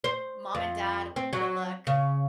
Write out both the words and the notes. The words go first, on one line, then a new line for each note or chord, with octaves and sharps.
"Mom and dad, good luck,"
C5
F2
C4
F#3
C#3